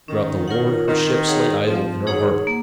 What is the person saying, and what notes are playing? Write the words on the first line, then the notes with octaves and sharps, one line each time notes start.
Throughout the war her ships lay idle in her harbour.
D#3 C#4
F4 A#4 C#5 F#5
D#3 C4
D#4 G#4 C#5 F#5
F3 C4
D#3 F#3 D#4 G#4 C#5 F#5
A#3